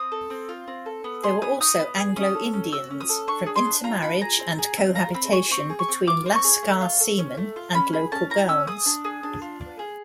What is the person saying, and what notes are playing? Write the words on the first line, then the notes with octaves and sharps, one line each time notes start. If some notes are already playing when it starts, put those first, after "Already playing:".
There were also Anglo-Indians, from intermarriage and cohabitation between "lascar" seamen and local girls.
Already playing: C4 D#6
A4
C4
F4
C4
A4
B3
G#4 C6
B3 D#6
D#4 D#6
B3
G#4
C#4 D#6
A4
C#4
F#4 E6
C#4
D#6
A4
D4 C#6
G#4
C6
D4
F4 A#5
D4 B5
G#4 A#5
C4
G#4
C4
F4 A#5
C4 B5
G#4 C#6
C4 C#6
G#4
C#6
C4
F4 D6
C4
C#6
G#4
A3
F4
A4
C#4
A3
F4
C#4 B5
G#4 B5
C#4 A5
E4 A#5
C#4 E6
G#4 D#6
D4
G#4
D4
F4
D4
G#4